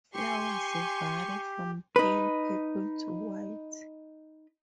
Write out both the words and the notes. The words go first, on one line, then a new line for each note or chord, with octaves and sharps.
Flowers vary from pale purple to white.
G4 G#5 C6 C#6
D#4 B4